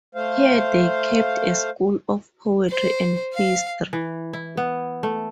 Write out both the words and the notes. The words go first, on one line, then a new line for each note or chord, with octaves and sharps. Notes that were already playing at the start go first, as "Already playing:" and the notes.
Here they kept a school of poetry and history.
A3 C5 F5
C5
F5
E3
E4
B3
A3